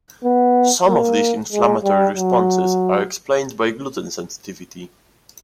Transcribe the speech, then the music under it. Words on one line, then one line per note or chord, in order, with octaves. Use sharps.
Some of these inflammatory responses are explained by gluten sensitivity.
B3
A#3
G#3
G3
F#3